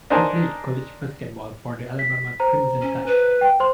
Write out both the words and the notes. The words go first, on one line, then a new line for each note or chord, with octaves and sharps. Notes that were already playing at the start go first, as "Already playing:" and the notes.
He played college basketball for the Alabama Crimson Tide.
D4 D#4 A#4 C5 G#5 A5
B6
C5 A#5
C#4
B4
G5
C5 C6